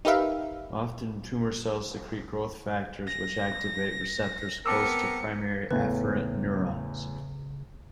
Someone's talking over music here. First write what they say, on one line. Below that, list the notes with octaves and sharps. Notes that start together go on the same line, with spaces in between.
Often tumor cells secrete growth factors which activate receptors close to primary afferent neurons.
D#4 G4 A#4 B4 E5 F5
A#6
B3 C4 A#4 A5 D6 E6 C#7
E2 A2 C#3 B4